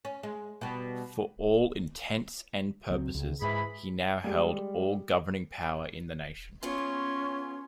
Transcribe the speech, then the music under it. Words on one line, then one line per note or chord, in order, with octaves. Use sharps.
For all intents and purposes, he now held all governing power in the nation.
C#4
G#3
B2 G3
C#2 F#3 C4
C#2
G#2 E3 G#4 B5
G3 G#3
B3 C#4 F4 G#4 C#5 C6